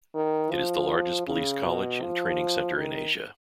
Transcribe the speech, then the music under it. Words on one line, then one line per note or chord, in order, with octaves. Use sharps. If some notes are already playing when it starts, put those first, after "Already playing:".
It is the largest police college and training center in Asia.
D#3
F3
C#3
B2
F3
D#3